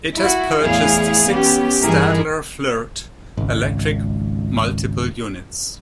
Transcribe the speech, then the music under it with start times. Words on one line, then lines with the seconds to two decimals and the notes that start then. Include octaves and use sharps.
It has purchased six Stadler Flirt electric multiple units.
0.18 E4 F#4
0.63 E2 A2 E4 G#4 F5
1.28 B3 C#4 G4
1.83 G2 E3 D#4 E4 G#4 A#4
3.37 G#1 C#2